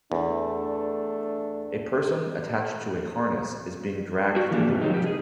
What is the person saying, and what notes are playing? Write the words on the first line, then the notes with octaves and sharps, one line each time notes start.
A person attached to a harness is being dragged through the water.
E2 A3 D4
F#4 G4
E3 F3 A#3 D4
G#2 C3
D#3 F3 F#3 D#4
F3 G4
G#4